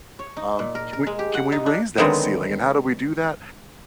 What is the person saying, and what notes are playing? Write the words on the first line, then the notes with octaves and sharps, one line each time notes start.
Um, can we can we raise that ceiling, and how do we do that?
C#5
D#4
A#2
A#4
A#4
G#3
G4
F#5
D#4
D4
D3 D#3 F#3 G#3 B3 C4